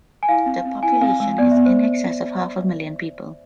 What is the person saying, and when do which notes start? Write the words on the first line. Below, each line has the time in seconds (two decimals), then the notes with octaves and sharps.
The population is in excess of half a million people.
0.23 G#5
0.29 E4 F5
0.46 C4
0.65 C4
0.83 E4 G#5
1.01 C4 F5
1.20 G#3
1.38 B3 D5
1.51 E5
1.57 B3
1.66 C5